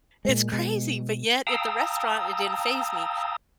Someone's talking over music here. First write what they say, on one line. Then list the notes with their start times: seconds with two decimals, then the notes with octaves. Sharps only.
It's crazy, but yet at the restaurant, it didn't faze me.
0.25 A#2 G#3
0.52 B2 G#3
1.47 F5 G5 A5 A#5 D#6 E6